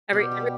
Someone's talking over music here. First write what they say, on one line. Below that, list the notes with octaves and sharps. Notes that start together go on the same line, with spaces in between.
Every every
B2 G3
G4